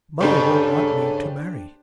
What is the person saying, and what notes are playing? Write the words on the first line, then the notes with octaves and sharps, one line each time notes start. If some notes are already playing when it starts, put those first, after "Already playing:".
'Mother will want me to marry.'
G2 C#3 D4 G4 A4 C5